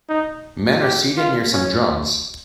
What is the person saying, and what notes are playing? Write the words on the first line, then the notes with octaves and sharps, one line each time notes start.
Men are seated near some drums.
D#4
G4
F4
C#4